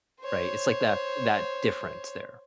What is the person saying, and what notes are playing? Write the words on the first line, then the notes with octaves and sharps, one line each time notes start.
right? It's like that that difference there.
C5 C#5